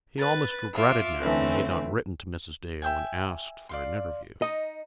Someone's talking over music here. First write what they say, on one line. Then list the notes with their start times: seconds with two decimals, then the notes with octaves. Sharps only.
He almost regretted now that he had not written to Mrs. Dale, and asked for an interview.
0.18 B4 A6
0.73 F4 E5 D6
1.20 D3 E3 A3 C4 C#4
2.82 E5 G5 G#5
3.69 D5 F5 C6
4.42 D#4 D#5 A#5